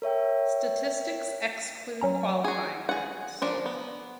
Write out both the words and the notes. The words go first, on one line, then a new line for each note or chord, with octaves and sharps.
Statistics exclude qualifying rounds.
A#4 C#5 E5 G5
F#3 C#4 A#5
F#4 G#4
G#4 F#5
F3 D4 A#4
B3